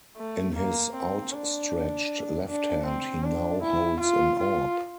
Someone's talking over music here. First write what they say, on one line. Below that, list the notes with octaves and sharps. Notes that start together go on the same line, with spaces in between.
In his outstretched left hand he now holds an orb.
A3
A#3
C4
D4
D4
C4
D4
E4
F4
F4